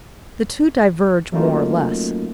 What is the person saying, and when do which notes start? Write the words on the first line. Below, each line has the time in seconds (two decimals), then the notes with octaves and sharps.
The two diverge more or less.
1.32 F#3 A3 A#3 C#4 D#4 F4